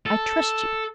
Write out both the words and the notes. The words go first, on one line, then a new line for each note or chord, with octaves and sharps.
I trust you.
A4